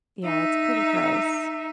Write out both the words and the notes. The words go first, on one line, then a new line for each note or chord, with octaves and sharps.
Yeah, it's pretty gross.
D#4 E5